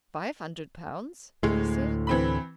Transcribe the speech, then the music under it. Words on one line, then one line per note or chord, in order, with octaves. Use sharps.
"Five hundred pounds," he said.
D2 A2 G#3
E3 C4 B5